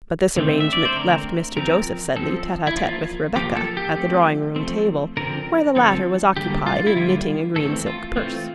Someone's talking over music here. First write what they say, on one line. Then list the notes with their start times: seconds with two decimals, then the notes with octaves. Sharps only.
But this arrangement left Mr. Joseph Sedley tete-a-tete with Rebecca, at the drawing-room table, where the latter was occupied in knitting a green silk purse.
0.36 D3 A3 C4
0.60 E5
0.73 D5
0.85 C5
0.96 D3 A3 C4 A#4
1.57 F3 C4 A#4
2.16 F3 C4 A4
2.67 E4
2.76 F3 A#3 F4
3.36 F3 A#3 G4
3.56 A4
3.77 G4
3.97 F3 A3 C4
4.56 F3 A3 C4
5.17 D3 F3 C4 A#4
5.76 D3 F3 C4 A4
6.37 D3 G3 A#3 G4
6.66 F4
6.87 E4
6.97 D3 G3 A#3 F4
7.56 E3 A3 C4 A4
7.86 F4
8.16 E3 A3 C4 F4